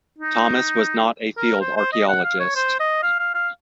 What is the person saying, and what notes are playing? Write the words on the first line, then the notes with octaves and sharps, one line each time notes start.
Thomas was not a field archaeologist.
D#4
A#4
C5
C5
D#5
F#5
F5
C#5
C5
D#5
F5
F5
F5